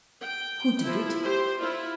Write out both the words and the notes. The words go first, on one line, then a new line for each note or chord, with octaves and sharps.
Who did it?
G5
F3 E4
G4 C5
E4 F4